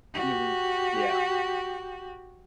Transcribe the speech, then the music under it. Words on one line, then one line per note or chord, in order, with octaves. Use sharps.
Mhm, yeah.
F#4 G4